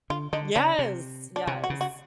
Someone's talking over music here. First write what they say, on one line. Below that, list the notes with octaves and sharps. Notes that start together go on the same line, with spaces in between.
Yes, yes,
D3 F4
D3 D#4
C#3 D4
C3
D4
C3 C#4
F#4
C#3
F#4